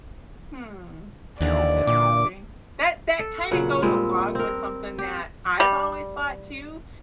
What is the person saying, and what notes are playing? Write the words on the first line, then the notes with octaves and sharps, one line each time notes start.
Mm, that's interesting, that that kinda goes along with something that I've always thought too,
D#2 D3 E3 D5
A#2 D6
A4
A#2 C#3 F#3 F#5
A#2 G3 G#3 C4
C4 A#4
G4
G3